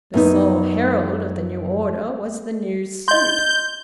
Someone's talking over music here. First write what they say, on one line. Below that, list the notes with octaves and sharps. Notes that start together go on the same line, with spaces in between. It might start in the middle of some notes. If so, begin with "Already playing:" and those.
The sole herald of the new order was the new suit.
F#2 B3 D#4
D#5 C6 G6